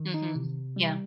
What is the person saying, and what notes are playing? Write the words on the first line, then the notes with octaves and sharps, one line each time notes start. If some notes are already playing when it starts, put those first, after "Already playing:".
Mhm. Yeah.
Already playing: D#3
D#4
C3
G3